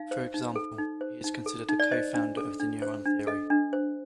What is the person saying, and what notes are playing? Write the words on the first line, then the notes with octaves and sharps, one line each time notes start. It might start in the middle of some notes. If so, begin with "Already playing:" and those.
For example, he is considered a co-founder of the neuron theory.
Already playing: D#4 F5
C5
D#4
A4
D#4
C5
D#4
A4
D#4
D5
C5 D#5
D4
A4
D4
C5
D4
A4 D#5
D4
C5